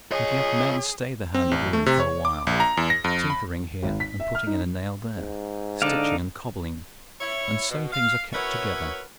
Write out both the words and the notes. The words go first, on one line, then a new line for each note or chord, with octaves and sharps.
But yet men stay the hand of ruin for a while, tinkering here and putting in a nail there, stitching and cobbling; and so things are kept together.
F4 G#4 C#5 D#5
C4
A1
A3
C3
C#5
D6
A#1
A#5
E2
A#6
F2
B5
G#1
B6
E5
F6
D#4
G#2
D3 D#4 D5 F5 A5
E4 C#5
B2
F5
C#4 E4 F#4 A#4 B4 C#5